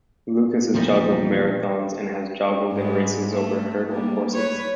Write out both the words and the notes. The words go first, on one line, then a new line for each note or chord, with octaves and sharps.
Lucas has joggled marathons, and has joggled in races over hurdle courses.
E2 A#2 F3 G3 D#4
G#2 G3 G#3
A3
G3 A#3
B4 C#5